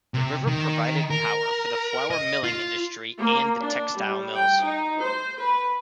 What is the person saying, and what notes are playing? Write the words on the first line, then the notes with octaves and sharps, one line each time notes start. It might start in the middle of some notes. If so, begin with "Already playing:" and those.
The river provided power for the flour milling industry and the textile mills.
C3
D#3
A#4
D#5
F4
A#3
D4
G3
G5
D#4
C5
B4